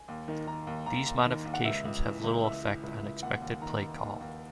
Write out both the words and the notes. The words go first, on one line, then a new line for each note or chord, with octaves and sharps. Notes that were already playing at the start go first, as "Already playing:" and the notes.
These modifications have little effect on expected play call.
Already playing: G#5
D#2
D#3
D#3 A#5
D#2
D#2 A#5
D#2
D#3
D#2
F#5
C#2 E5
C#2
E3
C#2
E3 E5
E3
C#2
C#2
D#2 F#5
D#2
D#3 A#5
D#3
D#2
D#2